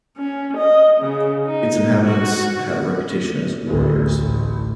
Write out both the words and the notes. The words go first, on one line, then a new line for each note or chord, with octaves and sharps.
Its inhabitants had a reputation as warriors.
C#4
D#5
C#3
D#4
F#4
A1 D2
A1